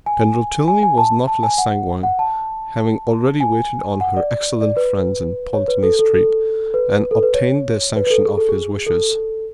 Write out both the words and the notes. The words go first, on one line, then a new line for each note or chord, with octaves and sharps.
General Tilney was not less sanguine, having already waited on her excellent friends in Pulteney Street, and obtained their sanction of his wishes.
G#5
G#5
G#5
A5
A5
G#5
F#5
F#5
A5
G#5
F#5
D5
D5
B4
C#5
B4
A4
A4
A4
B4
A4
B4
C#5
B4
B4
A4
G#4
A4
G#4
A4